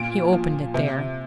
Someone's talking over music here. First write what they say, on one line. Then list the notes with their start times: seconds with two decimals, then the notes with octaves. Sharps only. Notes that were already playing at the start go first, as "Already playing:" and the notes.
He opened it there.
Already playing: A#2 D7
0.33 F3
0.74 C3